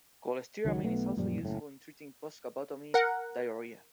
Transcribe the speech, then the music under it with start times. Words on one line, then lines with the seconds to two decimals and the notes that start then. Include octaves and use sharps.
Colestyramine is also useful in treating post-vagotomy diarrhea.
0.65 C#2 D#3 F#3
0.83 B1 A3 B3
1.17 F#2 A#2 F3 G3
1.41 F#1 A2
2.94 A#4 F#5